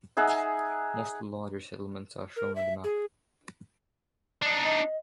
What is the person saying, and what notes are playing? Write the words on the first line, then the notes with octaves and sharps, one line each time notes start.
Most of the larger settlements are shown on the map.
D#4 G#4 E5 F#5
A#4
E5
G#4
D4 D#4
D#5